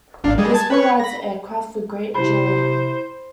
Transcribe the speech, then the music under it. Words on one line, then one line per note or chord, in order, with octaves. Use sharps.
This provides the aircraft with great agility.
G#1 D4 F5
G3 G#3 G#4
A5 G#6
B4 C#5 C#6
B5 A#6
C3 E4 C5 B5